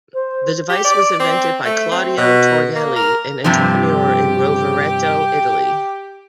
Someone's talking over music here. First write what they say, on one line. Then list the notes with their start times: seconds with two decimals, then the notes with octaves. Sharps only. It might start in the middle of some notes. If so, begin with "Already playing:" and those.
The device was invented by Claudio Torghele, an entrepreneur in Rovereto, Italy.
0.13 C5
0.70 G4
0.85 D5
1.20 C4
1.65 A3
1.91 C4
2.17 B2
2.76 A#3
2.96 A#4
3.44 G2 C3 F3 G4